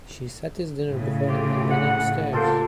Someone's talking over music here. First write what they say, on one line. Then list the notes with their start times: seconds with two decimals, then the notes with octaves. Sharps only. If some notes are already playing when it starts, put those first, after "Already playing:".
She set his dinner before him, and went upstairs.
0.88 A2 C#3
1.26 F4 G4
1.69 F#5
2.33 A#3 F4 G4 A4 C5